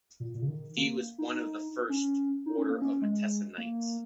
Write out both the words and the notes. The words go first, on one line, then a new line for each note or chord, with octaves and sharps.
He was one of the first Order of Montesa knights.
A#2
A#2
C#3
D#3
A#3
D#4
C#4
D#4
C#4
A#3
C#4
G#3
A#3